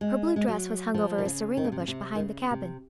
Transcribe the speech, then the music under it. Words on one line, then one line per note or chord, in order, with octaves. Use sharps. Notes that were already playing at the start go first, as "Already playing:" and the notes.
Her blue dress was hung over a syringa bush behind the cabin.
G#3
G#3
F#3
F3
D#3
C#3
D#3
C#3
C3
C#3
C3
D#3
C#3
C3